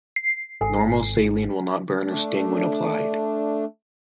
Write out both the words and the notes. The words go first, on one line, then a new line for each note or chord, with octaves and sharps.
Normal saline will not burn or sting when applied.
C7
G#1 A4 G#5
A3 D4